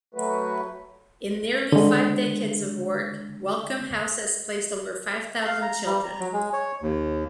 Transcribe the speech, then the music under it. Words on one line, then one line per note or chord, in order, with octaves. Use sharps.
In nearly five decades of work, Welcome House has placed over five thousand children.
F#3 A3 F#4 B4
D3 G#3
F5
A#5
G3
A#5
F#3
G#3
C#5
D#2